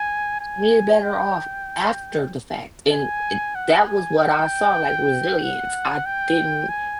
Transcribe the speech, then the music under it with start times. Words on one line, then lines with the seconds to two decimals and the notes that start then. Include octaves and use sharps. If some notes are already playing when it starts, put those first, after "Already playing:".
way better off after the fact, and, eh, that was what I saw, like, resilience. I didn't,
Already playing: G#5
0.41 G#5
1.03 G5
2.92 G#5
3.55 F#5
3.86 G#5
4.18 G5
5.44 F#5
6.06 G5
6.69 G#5